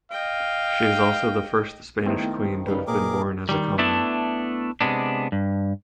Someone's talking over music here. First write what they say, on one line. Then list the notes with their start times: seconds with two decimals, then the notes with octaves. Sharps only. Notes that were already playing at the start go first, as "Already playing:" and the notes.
She is also the first Spanish queen to have been born as a commoner.
0.11 D#5 F5 G5
2.06 D#3 F3 A3 B3 C4 E4
2.67 C#3 G3 D#4 B4
2.87 D2 A#2 G#4 A#4 D6
3.49 D#3 G3
3.78 A3 B3 D4 E4 A5
4.81 C3 G#3 B3 D4
5.32 G2